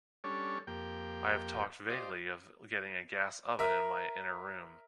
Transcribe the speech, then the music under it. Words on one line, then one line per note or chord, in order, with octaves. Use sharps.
I have talked vaguely of getting a gas oven in my inner room.
G3 C#4 D4 A4 C#5
F2 A#3 G4 G5
F4 G4 C5 D5 D#5
A#4 E5